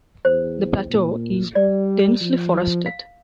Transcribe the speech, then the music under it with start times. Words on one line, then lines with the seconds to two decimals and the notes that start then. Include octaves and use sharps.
The plateau is densely forested.
0.25 E2 C5
0.90 A#2
1.55 G3 D5
2.20 F3
2.54 F3
2.86 F5